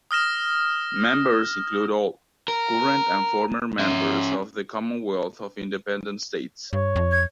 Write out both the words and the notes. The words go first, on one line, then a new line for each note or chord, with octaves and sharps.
Members include all current and former members of the Commonwealth of Independent States.
D#6 F6 A#6 E7
A#4
C#4 E5
G2 C#5
F2
G#6